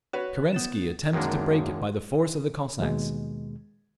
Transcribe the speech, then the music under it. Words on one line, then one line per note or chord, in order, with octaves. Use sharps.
Kerensky attempted to break it by the force of the Cossacks.
F#4 B4 C#5
B3 A6 E7
F#2 D#3 G#3 A#3 D4
D#2 B2 G#3